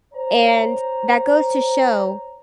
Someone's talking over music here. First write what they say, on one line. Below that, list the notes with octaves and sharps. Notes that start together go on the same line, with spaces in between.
and that goes to show,
C5 C#5 A#5